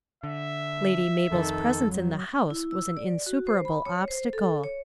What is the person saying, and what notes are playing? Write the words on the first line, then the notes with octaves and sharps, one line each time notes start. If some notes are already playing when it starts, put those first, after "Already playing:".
Lady Mabel's presence in the house was an insuperable obstacle.
D3 E5
F2 D#3 A4
F#3
E4
E6
D5
F#4
C5
B5
C#5
C5
A4
C#5